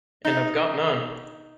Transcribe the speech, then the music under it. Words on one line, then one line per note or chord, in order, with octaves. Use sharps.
And I’ve got none.
D#4